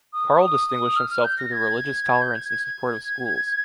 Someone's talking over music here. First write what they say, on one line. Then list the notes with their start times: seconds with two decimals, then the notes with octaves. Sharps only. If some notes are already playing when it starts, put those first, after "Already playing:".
Karl distinguished himself through the religious tolerance and support of schools.
0.13 D#6
0.36 C#6
0.41 D#6
0.68 D#6
0.96 F6
1.10 F6
1.24 G6
1.38 A#6
1.52 G#6
2.07 G#6
2.22 G6
2.35 G#6
2.49 G#6
2.63 G#6